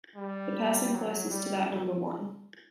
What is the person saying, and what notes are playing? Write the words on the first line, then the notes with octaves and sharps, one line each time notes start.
The person closest to that number won.
G3
F#3
G3